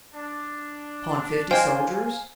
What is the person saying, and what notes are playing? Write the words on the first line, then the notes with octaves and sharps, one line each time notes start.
"Upon fifty soldiers?"
D4
C5 D#5 F5 G5 G#5